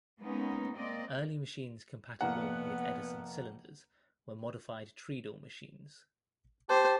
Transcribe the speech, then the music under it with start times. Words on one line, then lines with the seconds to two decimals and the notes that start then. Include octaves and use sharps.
Early machines compatible with Edison cylinders were modified treadle machines.
0.21 G#3 A#3 B3 C#4 D#4
0.75 A#3 C4 D5 D#5
2.21 F1 A#3 B3 F#5
6.69 G4 C5 A5